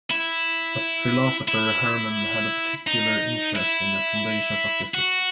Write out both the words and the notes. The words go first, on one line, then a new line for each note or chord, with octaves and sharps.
As a philosopher, Hermann had a particular interest in the foundations of physics.
E4
E4
D#4
E4
F#4